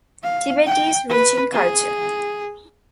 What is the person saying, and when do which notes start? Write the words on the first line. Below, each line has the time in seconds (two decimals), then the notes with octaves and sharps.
Tibet is rich in culture.
0.23 F5
0.66 G5
1.09 B4
1.52 G#4